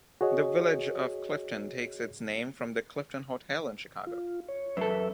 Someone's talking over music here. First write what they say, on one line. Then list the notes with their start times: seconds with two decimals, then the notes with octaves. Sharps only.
The village of Clifton takes its name from the Clifton Hotel in Chicago.
0.21 F#4 G#4 C#5 D#5
4.07 F4
4.49 C#5
4.77 F#2 A4 B4 E5